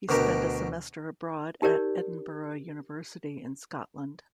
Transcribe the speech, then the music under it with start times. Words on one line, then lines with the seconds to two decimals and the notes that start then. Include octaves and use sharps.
He spent a semester abroad at Edinburgh University in Scotland.
0.09 D2 B2 G4 A#4
1.62 D#4 G4 A#4 C#5 D5